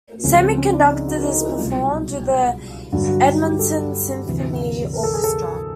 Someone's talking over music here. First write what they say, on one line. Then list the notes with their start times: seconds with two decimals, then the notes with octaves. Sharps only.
"Semi-Conducted" is performed with the Edmonton Symphony Orchestra.
0.24 C#2 C#3 F3 C#4
0.41 C4
0.57 C#4
0.74 D4
0.91 D#4
1.08 F#4
1.24 D#4
1.41 E4
1.57 C2 B2 F#3 F4
2.92 G2 D3 F#3 F#4
3.08 F#4
3.26 F#4
3.43 G4
3.59 A4
4.26 D2 C3 E3
4.93 A#4
5.03 A4
5.14 G#4
5.24 A4